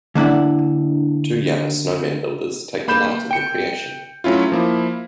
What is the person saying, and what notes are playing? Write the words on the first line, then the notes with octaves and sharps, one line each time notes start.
Two young Snowman builders take delight in their creation.
D3 A#3 D4 E4 F#5
A#3 B5 G6 E7
G5 C#7
F#3 A3 C#4 E4 F4
F3 A#3 E4